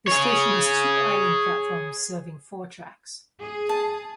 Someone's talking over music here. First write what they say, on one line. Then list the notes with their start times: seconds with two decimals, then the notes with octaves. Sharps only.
The station has two island platforms serving four tracks.
0.07 G#4 C#5
3.40 G#4
3.69 A5